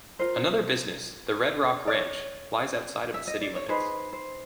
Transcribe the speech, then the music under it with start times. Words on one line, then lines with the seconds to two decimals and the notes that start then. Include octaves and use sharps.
Another business, the Red Rock Ranch, lies outside of the city limits.
0.19 F4 A#4 C5
1.87 D5
1.94 C#5
3.14 E5
3.27 D#5
3.41 D5
3.56 C#5
3.68 D#4 G#4 B4 C5
4.13 C5